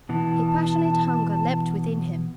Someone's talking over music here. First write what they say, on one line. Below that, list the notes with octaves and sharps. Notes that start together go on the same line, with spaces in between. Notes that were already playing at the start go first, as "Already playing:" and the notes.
A passionate hunger leapt within him.
B2 E3 A5